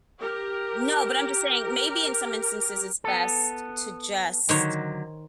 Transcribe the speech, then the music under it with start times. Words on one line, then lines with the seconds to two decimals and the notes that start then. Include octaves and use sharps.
No, but I'm just saying maybe in some instances it's best to just
0.20 G4 A#4
3.04 B3 A4
4.49 D3 D#3 F#3 C5 C#5